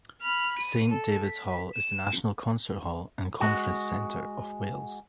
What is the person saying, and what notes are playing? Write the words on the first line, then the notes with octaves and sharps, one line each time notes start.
Saint David's Hall is the National Concert Hall and Conference Centre of Wales.
B5 F6
D#7
A4
B6
E7
G#3 F#4